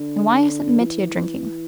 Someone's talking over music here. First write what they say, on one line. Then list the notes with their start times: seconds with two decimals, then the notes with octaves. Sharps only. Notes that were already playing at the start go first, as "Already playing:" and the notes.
And why isn't Mitya drinking?
Already playing: D3
0.80 F3
0.85 E3